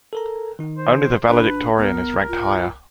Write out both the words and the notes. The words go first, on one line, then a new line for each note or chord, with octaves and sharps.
Only the valedictorian is ranked higher.
A4 A#4 A#5
D#3 D#4
C5
G1 D4 B4
C2 B3 A#4
F4